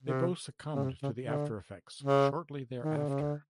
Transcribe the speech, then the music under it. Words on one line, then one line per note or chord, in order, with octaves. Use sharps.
They both succumbed to the aftereffects shortly thereafter.
C3
C#3
C3
C#3
D3
C#3
D#3
D3
C#3
D3